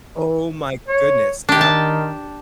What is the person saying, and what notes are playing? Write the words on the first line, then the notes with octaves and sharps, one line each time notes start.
Oh my goodness. Absolutely.
C#5
D#3 D4 G4
A5